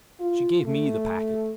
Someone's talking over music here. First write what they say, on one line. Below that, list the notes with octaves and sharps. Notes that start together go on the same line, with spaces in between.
She gave me the packet.
F4
A3